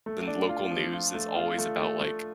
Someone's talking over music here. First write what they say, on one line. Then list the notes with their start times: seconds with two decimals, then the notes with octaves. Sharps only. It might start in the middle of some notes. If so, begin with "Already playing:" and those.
then local news is always about, like,
0.06 A3
0.28 D4
0.49 F4
0.71 F3
0.93 F4
1.15 A3
1.36 F4
1.58 A3
1.80 A3
2.01 A3